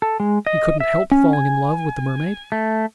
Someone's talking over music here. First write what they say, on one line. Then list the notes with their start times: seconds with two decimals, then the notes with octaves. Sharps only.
"He couldn't help falling in love with the mermaid."
0.02 A4
0.20 G#3
0.47 D#5
0.80 E5
1.12 C#4
1.33 G#5
2.52 A3